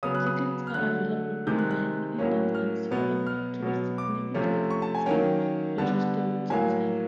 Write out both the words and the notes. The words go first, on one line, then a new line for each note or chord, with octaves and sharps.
Tickets are available on-line in advance, however, to significantly reduce the waiting time.
C#3 F#3 B3 D#6
F#6
D#6
F6
D3 F#3 A3 F#6
C3 D#3 G#3 G6
F#6
F#6
A2 F#3 A#3 C#4
F6
B2 F#3 B3
F6
B2 F#3 B3
D6
C3 F3 A3 C#4
C#6
A5
G#5
D#3 F#3 A#3 C#4 G5
D3 G3 B3 A5
A2 F#3 A#3 G#5